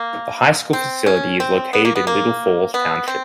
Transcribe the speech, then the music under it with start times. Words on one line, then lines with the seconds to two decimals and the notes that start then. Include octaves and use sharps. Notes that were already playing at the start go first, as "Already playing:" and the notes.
The high school facility is located in Little Falls Township.
Already playing: A#3
0.73 C4
1.06 C#4
1.40 C4
1.73 B3
1.85 A#3
1.96 B3
2.07 A#3
2.74 B3
3.08 C4